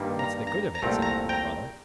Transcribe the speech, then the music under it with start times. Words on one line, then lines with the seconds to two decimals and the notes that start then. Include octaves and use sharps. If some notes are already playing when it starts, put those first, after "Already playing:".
"What's the good of it?" said the Poor Brother.
Already playing: G2 D#3 G3 A#3
0.19 A#5
0.47 A#5
0.75 A#5
0.82 C2 A#2 A3 C4
1.02 A#5
1.29 G5 A#5